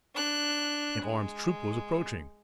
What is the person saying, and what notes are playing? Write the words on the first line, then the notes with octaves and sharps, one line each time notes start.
An armed troop was approaching.
D4 F#6
G#3